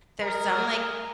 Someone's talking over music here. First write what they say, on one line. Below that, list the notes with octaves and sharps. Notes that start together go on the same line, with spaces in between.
there's some, like,
G#4 A#4